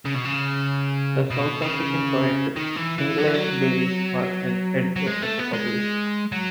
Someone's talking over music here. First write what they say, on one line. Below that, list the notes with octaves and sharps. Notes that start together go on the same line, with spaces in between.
The South African poet Sinclair Beiles was an editor at the publisher.
C#3
B2
C#3
B2
C#3
D#3
E3
E3
F#3
E3
F#3
F#3
G#3
A3
B3
G#3
F#3